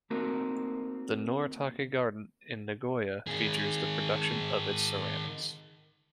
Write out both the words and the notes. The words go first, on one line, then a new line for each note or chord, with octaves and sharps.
The Noritake Garden in Nagoya features the production of its ceramics.
A3 A#3 C4 D#4 F#4 A#4
D#3 G#4